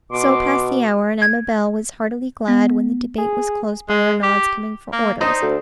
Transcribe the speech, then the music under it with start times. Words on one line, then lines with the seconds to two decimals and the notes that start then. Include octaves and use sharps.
So passed the hour; and Amabel was heartily glad when the debate was closed by Arnaud's coming for orders.
0.12 B2 C6 D6
1.22 G#6
2.48 B3
3.18 G#4
3.89 G#3
4.23 G4
4.93 A#3
5.21 D4 D#4 C5 D#5
5.42 D2